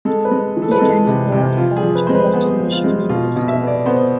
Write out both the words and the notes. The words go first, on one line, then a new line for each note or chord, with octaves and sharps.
He attended Loras College and Western Michigan University.
G#3 A4
B4
G#3
E3
A4
B4
G#3 A4
C3
C3
F3 F4
G#4
F3
B4
G#3 C5
B4
B3 G#4
F3
F4
G#3
B2 F4
B2
E5
B3
D5
B3 C5